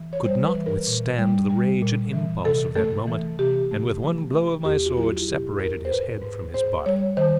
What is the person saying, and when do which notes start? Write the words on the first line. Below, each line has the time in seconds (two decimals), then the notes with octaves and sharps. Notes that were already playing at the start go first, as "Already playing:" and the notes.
I could not withstand the rage and impulse of that moment, and with one blow of my sword separated his head from his body.
Already playing: E3
0.13 C#5
0.24 G3 C5
0.45 B4
0.56 E3
0.66 A#4
0.87 A#2
1.18 G3
1.50 G3
1.82 A#2
2.13 E3
2.45 C3 A4
2.76 A3 A4
3.07 E3
3.39 C3 G4
3.71 A3
4.02 F3
4.33 A3
4.64 E2 G4
4.86 F#4
4.97 F#3 E4
5.07 F4
5.28 B2 G4
5.60 E2 A#4
5.85 C5
5.91 G#2 B4
6.22 G#2
6.54 G#2 C5
6.86 G3 C#5
7.17 D#3 C5